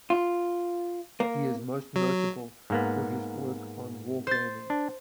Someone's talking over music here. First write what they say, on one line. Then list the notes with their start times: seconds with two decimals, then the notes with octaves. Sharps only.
He is most notable for his work on wargaming.
0.10 F4
1.20 A#3
1.96 F#3
2.70 G#2 A#3 B3
4.27 C5 A6
4.70 D4